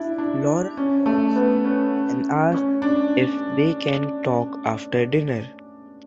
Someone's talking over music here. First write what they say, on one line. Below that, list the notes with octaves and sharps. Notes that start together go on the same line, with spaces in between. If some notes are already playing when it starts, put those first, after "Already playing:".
Laura calls him and asks if they can talk after dinner.
Already playing: D4 E4
D4
C#4
A3
B3
C#4
C#4
D4